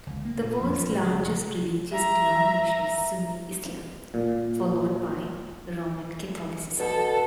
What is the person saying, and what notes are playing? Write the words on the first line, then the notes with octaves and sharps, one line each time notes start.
The world's largest religious denomination is Sunni Islam, followed by Roman Catholicism.
C#2
A#3
A#2
F2
F3
A2
C#3
F1
E5 A#5
A#2
B2 A4